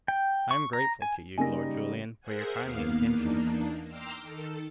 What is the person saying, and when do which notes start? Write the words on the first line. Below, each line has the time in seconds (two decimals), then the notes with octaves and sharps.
I am grateful to you, Lord Julian, for your kindly intentions.
0.08 G5
0.51 C#6
0.73 A#5
1.02 G#5
1.38 C#3 G3 A#3 D#4 G#5 A#6
2.20 G#4 A#4 C5 E5 F#5 G#5
2.60 D#2 A#3 B3 F5
3.09 E2 A#3 D4 D#4
3.87 G5 A#5 C6 D6 E6 F6
4.21 D#3 A4